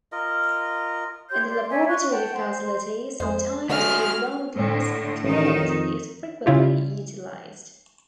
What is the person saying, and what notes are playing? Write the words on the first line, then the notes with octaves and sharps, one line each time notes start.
In the laboratory facility, sometimes a round glass cuvette is frequently utilized.
F4 A#4 D#5
G4 C#5 C6 G6
D5 C6
C#5 D5 E5 G#5
C6 C#6 F#6
F#5 G5 A5
C5
F2 G#3 A3 C5
D3 F#3 G#3 A3 F#4 G#4 B4 F6
A2 D3 A3
A1 D#3 D#4
F2
C#3 E4 F4 G4